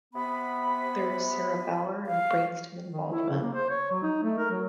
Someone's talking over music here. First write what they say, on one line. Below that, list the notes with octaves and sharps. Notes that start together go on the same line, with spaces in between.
There is cereballar and brainstem involvement.
C3 B3 B5
F5
D#3
E4
C#3
A#3
C5
C#5
F#3
D#4
A3
A#4
F#3